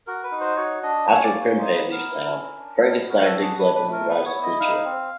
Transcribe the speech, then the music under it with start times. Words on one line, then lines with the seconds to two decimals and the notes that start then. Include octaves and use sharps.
After Krempe leaves town, Frankenstein digs up and revives the creature.
0.07 F#4 A#4
0.24 B4
0.32 D#4
0.40 C5
0.57 F#4 C#5
0.83 D4 D#5
1.07 C#4 C#5
1.24 D5
1.33 A#3
1.41 C#5
1.58 D#4 C5
1.74 B4
1.83 B3
1.91 A#4
2.08 E4
2.33 C#4
2.58 D4
2.84 B3
3.09 F#4 A#4
3.25 A4
3.34 D4
3.42 G#4
3.58 D4 B4
3.76 B4
3.85 A3
3.93 A#4
4.09 B3 B4
4.26 C#5
4.35 E4
4.43 D#5
4.60 D#4 F5
4.85 C4